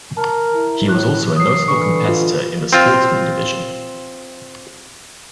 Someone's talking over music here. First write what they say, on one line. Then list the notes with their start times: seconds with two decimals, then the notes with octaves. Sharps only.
He was also a notable competitor in the Sportsman Division.
0.17 A#4 A5 A#5
0.55 E4
0.89 A2 F#6
1.36 F#3 D#6 C7
1.68 D3 E3 C#6
2.09 F4
2.73 C4 F4